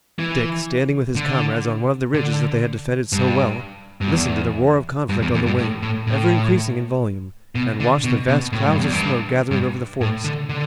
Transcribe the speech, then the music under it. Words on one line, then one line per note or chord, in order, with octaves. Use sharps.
Dick, standing with his comrades on one of the ridges that they had defended so well, listened to the roar of conflict on the wing, ever increasing in volume, and watched the vast clouds of smoke gathering over the forest.
E3
D3
D3
G2
G2
E2
G2
E2
E2
G2
A2
A2
A2
B2
D3
B2
B2
A2
G2
E2
G2
G2
A2
D3
D3